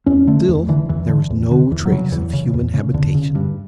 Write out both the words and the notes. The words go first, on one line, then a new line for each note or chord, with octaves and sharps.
Still there was no trace of human habitation.
E2 C#4
D3 A3
E2
D3 E3
E2 E3
D3
E2
D3
E2 E3
F#3
C#3
F#3
E2 E3
C#3
E2
C#3
E2 D3
C#3
G2